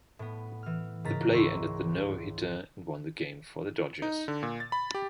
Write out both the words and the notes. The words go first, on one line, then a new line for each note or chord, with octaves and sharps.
The play ended the no-hitter and won the game for the Dodgers.
A2 B3
E3 F6
G#2 C#3 A#4 A#5 A6 B6
G#1 C#2 E4 A#5 C6 C#6
D#4
D3
A#2
A6
B5
G4